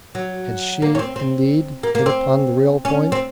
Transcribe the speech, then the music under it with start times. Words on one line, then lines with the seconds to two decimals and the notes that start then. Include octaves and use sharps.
Had she indeed hit upon the real point?
0.15 F#3
0.82 A#3
0.95 C#4
0.99 C4
1.16 C4
1.83 A#3
1.95 A#3
2.06 C4
2.85 C#4
3.12 C4